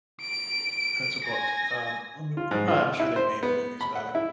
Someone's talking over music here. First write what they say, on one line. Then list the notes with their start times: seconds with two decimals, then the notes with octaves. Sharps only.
it's a book, um um, they they prob I'm sure they've made movies about it.
0.21 D7
1.26 G#5 A#6
2.37 F4
2.51 G#2
2.68 F4
3.00 E4
3.16 C5
3.43 B3
3.81 B5
3.95 F#5
4.15 E4